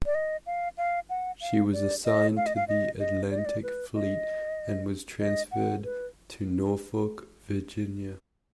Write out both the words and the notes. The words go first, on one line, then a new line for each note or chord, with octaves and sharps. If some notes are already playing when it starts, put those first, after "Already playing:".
She was assigned to the Atlantic Fleet and was transferred to Norfolk, Virginia.
D5
D#5
F5
F5
F#5
F5
D5
D#5
F5
D#5
F5
D#5
D#5
D5
D#5
D5
B4
D#5
D#5
F#5
B4